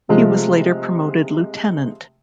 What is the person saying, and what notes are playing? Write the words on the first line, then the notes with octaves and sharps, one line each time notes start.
He was later promoted lieutenant.
C3 F3 G#3 A3